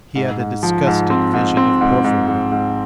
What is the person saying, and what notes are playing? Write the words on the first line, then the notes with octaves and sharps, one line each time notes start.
He had a disgusted vision of Porfiry.
G#2
G#2
F3
G#2
C4
G#2
C4
G#2
G#2
G#2
G#2